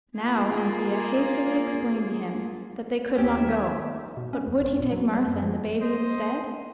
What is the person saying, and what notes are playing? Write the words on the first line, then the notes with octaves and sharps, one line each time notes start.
Now Anthea hastily explained to him that they could not go, but would he take Martha and the Baby instead?
A#3 F4 G#4
D#2 C#4 G4 E5
B2
C#4
F2
A1
A#2
F#3
G3
F#2
F3
C5 D#5